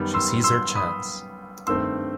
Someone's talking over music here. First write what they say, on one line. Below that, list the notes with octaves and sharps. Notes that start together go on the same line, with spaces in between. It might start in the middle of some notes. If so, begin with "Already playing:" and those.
She sees her chance.
Already playing: F#2 D#3 G3 B3
C6 E6
C6 E6
B5 D#6
G2 D#3 A3 C4 C6 E6